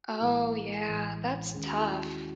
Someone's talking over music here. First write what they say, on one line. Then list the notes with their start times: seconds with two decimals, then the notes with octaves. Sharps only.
Oh, yeah, that's tough,
0.10 F#4
0.20 A1 A2 E3 G#3 E4
0.87 A1 A2 E3 G#3
1.54 D#2 D#3 G#3 C#4 G#4
1.66 F#4
1.77 E4
1.88 F#4